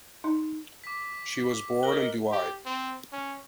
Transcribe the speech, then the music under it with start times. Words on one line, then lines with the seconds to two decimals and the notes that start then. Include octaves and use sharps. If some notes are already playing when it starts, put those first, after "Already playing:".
She was born in Douai.
0.24 D#4
0.84 D6 B6
1.83 A#4 D#5 F#6 F#7 G7
2.32 G4
2.65 C4
3.12 C#4